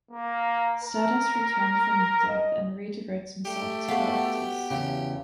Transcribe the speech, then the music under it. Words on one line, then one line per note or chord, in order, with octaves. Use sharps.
Stardust returns from death and re-devotes himself to Galactus.
A#3
A#4
D#5
A3 G4
B3 F#4 G#4 F5
E2 C#3 G4